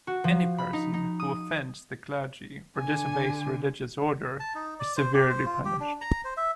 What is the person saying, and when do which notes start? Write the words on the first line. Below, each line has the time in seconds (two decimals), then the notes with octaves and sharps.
Any person who offends the clergy or disobeys religious order is severely punished.
0.07 F#4
0.24 F3
0.58 B5
0.73 D#4
0.94 D#4
1.20 D#6
2.78 D3 G#5
4.40 A5
4.55 D#4
4.79 D5
4.96 C5
5.14 G4
5.29 C5
5.46 F4
5.65 G4
5.80 D4
6.01 A#5
6.24 C5
6.37 E5